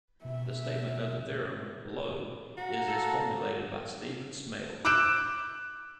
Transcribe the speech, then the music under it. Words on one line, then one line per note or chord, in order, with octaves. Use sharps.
The statement of the theorem, below, is as formulated by Stephen Smale.
B2 E5
F#4 F5 A#5
A4
D6 E6 F#6 G6 D7 E7